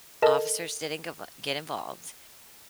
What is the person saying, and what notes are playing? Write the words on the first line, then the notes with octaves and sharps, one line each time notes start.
officers didn't get vo get involved,
A4 A#4 D#5 A5